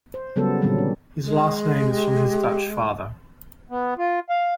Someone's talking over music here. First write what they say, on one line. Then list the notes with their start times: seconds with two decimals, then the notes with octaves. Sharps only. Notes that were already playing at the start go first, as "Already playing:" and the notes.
His last name is from his Dutch father.
0.14 C5
0.36 C#3 F#3 G3 B3 A4
0.62 A#2 D3 D#3 F#3 G3 C4
0.78 C#4
1.24 G#3
1.90 G4
3.70 B3
3.98 F4
4.30 F5